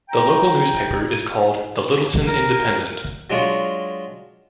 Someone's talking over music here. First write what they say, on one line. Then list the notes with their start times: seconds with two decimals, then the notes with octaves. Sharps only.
The local newspaper is called the "Littleton Independent".
0.09 G5 A#5
2.27 A#4
3.30 F#3 G#3 D4 F4 G#4 C#5